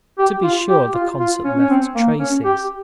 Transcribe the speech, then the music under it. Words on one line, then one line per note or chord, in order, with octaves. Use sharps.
To be sure, the concert left traces.
G4
F4
G4
F4
F4
C#4
C#4
C4
A#3
C#4
G4